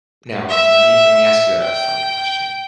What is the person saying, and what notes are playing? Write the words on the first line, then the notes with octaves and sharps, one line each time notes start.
Now let me let me ask you, uh, a funny question
E5
G5